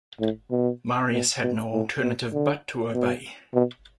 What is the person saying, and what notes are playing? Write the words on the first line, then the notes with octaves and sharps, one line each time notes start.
Marius had no alternative but to obey.
A2
B2
B2
B2
A2
B2
D3
B2
B2